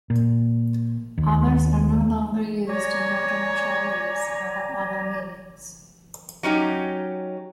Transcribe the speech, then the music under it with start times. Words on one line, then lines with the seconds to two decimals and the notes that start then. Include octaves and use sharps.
Others are no longer used in modern Chinese or have other meanings.
0.10 A#2
1.18 D#2
2.69 C#5 D5 G#5 A#5
6.43 F#3 C#4 D#4 G4